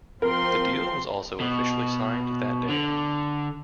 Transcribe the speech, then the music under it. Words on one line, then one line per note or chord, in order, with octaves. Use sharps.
The deal was also officially signed that day.
F3 C4 A#4 C6
B2
D3